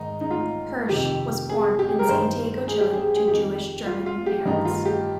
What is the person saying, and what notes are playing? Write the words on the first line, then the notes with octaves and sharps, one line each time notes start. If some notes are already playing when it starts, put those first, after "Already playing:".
Hirsch was born in Santiago, Chile, to Jewish-German parents.
Already playing: G#2 D#3 D#4
D#4
F4
F2 C3 D#3 G4
G#4
G4
G#4
A#4
G2 D#3 C5
G#4
G4
G#4
G#4
F2 D#3 G4
F4
F4
G4
G2 D#3 D#4
F4
G4